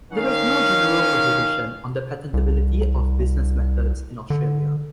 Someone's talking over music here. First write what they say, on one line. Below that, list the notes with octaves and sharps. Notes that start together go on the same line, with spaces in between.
There is no general prohibition on the patentability of business methods in Australia.
D#3 C#4 F5
C2
D3